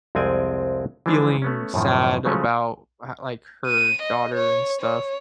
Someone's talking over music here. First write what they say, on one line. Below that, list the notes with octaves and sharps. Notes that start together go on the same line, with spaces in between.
feeling sad about h like, her daughter and stuff.
C2 F2 G#3 C4 D5 G#5
E3 F3 G#3 D4
A3 B3 C#4
F#2 A2 D#3 F3
C#3 F3 F#3 G#3 A3 C#4
D#7
D#5
C#5
C#5